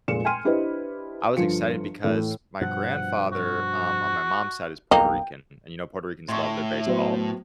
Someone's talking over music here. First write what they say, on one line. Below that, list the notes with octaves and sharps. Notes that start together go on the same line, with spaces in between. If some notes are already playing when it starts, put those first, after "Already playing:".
I was excited because my grandfather, um, on my mom's side is Puerto Rican, and, you know, Puerto Ricans love their baseball,
F1 A#2 G#3 C#7 E7
G5 G#5 C6 F6 D#7
D4 E4 G4 B4 C5 D#5
G1 F3 F4 C#7
A2 E3 A3
G2 B2 F3 F#5
F#4
B1 F2 A#3 D#4 G5
A2 C6 C#6
F#3 B3 C5